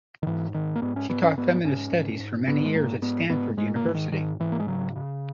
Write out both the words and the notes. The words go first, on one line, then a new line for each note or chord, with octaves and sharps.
She taught feminist studies for many years at Stanford University.
D#3
G#2 E3
G#2 D#3
A#3
G#2 B3
C#4
G#2 B3
C#4
G#2 B3
G#2 C#4
G#2
G#2
G#2 B3
G#3
G#2 A#3
G#2 B3
G#2 B3
G#2 G#3
A#3
G#2 E3
D#3
G#2 D#3
G#2 E3
A#3
G#3
C#3 F#3
C#3